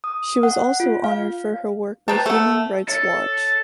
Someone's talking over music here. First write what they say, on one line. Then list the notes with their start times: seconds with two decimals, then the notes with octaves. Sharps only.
She was also honoured for her work by Human Rights Watch.
0.04 D#6
0.43 F#5
0.80 F4
1.04 F5
2.08 B4 C5 G5 A5 A#5
2.26 A3 A4 F#5
2.88 A4 C#5